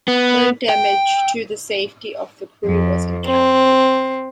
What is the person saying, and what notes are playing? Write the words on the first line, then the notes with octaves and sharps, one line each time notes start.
No damage to the safety of the crew was encountered.
B3
G5
F2
C4